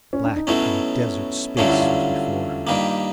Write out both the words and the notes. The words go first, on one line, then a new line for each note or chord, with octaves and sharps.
Black and desert space was before her.
C#4
D4
D#4
B2 F#3 A3 C#4 E4
G2 D3 F#3 A3 C#4 F4
E4
F4
G2 D#3 G3 A#3